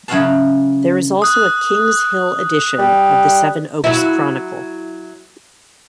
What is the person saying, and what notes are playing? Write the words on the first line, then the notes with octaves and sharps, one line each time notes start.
There is also a King's Hill edition of the Sevenoaks Chronicle.
C#3 F#3 E4 F#4 F5 A5
D#6 F#6
G3
F#3 E4